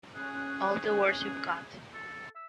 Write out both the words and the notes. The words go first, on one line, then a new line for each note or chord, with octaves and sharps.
All the words you've got.
C#4 G#4 F#6
A4
E5